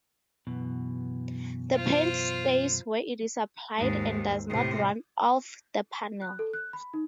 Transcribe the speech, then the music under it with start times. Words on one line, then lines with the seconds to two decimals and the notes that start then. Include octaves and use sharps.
The paint stays where it is applied and does not run off the panel.
0.47 F#2 B2 E3
1.76 F4 C5
3.77 D#2 G#2
4.49 A2 C3
6.22 F#6
6.39 A4
6.53 F#6
6.73 B5
6.94 D#4